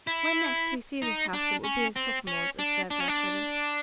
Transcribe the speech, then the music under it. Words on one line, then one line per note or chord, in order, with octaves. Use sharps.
"When next we see this house it will be as sophomores," observed Elfreda.
E4
D#4
D4
C#4
C4
C#4
D4
D4
C#4
D4